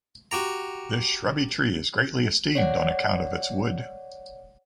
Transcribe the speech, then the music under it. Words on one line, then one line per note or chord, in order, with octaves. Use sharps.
This shrubby tree is greatly esteemed on account of its wood.
F#4 G4 A#5
C#5 D5 F#5